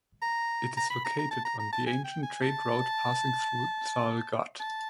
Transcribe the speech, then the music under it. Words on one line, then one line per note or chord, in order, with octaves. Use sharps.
It is located on the ancient trade route passing through Thal ghat.
A#5
A#5
B5
A#5
A#5
A5
A#5
A#5
A5
G#5
G5
G#5
A5
A5